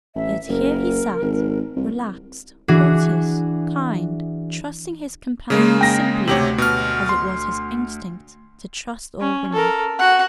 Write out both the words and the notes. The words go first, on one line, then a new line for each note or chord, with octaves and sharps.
Yet here he sat, relaxed, courteous, kind, trusting his companions simply, as it was his instinct to trust all women.
A1 E5
F#1 A#4
G#1
C2
E3 D4 F#4 G#4
C#3 G#3 A#3
G5 A#6
D2 C3 G4 C#5 F#7
B2 F6
C6
C#4
A4 A#4
F#4 F#5